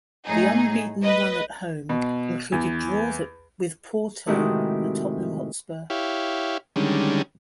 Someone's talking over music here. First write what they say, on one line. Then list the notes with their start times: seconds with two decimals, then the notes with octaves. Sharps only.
The unbeaten run at home included draws with Porto and Tottenham Hotspur.
0.25 A2 D#4 G#4
1.02 B4 D#5
1.89 B2
2.52 E2
4.27 A2 C3 D#3 G#3 C4 F#4
5.90 E4 G4 C#5 F5
6.76 D3 D#3 G3 G#3 C#4